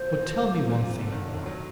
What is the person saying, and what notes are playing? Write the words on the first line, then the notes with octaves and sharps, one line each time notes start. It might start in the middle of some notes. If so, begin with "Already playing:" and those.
But tell me one thing more.
Already playing: A#2 D3 F#3 C5
A#2
A#2
C3
D3
D#3
F#3